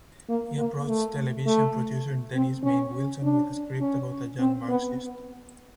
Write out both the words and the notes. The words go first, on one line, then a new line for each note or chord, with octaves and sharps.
He approached television producer Dennis Main Wilson with a script about a young Marxist.
A#3
A#3
A3
A3
C4
C#4
D4
C#4
C4
B3